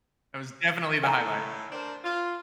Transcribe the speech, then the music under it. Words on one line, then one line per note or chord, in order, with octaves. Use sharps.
That was definitely the highlight.
A2 A3 G#5 A#5
D4 A#4 C5
F4